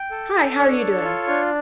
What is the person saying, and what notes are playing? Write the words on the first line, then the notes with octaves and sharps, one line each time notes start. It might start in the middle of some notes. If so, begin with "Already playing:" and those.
Hi. How are you doing?
Already playing: G5
A4
A4
D4 C#5
A4
F4
D4